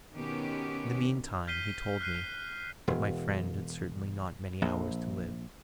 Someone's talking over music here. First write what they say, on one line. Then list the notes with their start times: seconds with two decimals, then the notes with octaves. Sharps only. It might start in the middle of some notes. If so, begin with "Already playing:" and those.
In the meantime he told me that my friend had certainly not many hours to live.
0.14 B2 D#3 B3 C#4 G4
1.47 F6 G6 B6 C7 D#7 G7
2.01 F6 F#6 C7 D#7
2.88 E1
4.62 A#1